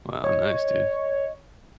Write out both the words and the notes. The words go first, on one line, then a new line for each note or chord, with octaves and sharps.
Wow. Nice, dude.
C#5 D#5